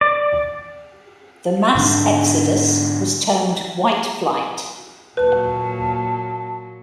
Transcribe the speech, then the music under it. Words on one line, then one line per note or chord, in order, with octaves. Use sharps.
The mass exodus was termed white flight.
D5
G#2 D3 D4
A#2 F#3 A#3 B4 A5